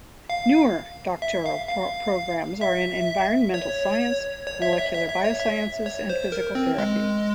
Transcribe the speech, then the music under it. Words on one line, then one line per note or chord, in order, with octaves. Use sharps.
Newer doctoral programs are in environmental science, molecular biosciences and physical therapy.
F5
E5
F5
F5
E5
C#5
C#5
E5
C#5
E5
E5
E5
C#5
E5
C#5
C5
A#4
C4
G#3